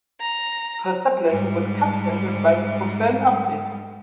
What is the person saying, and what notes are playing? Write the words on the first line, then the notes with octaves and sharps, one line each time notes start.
Persepolis was captained by Hossein Abdi.
A#5
G#2 G3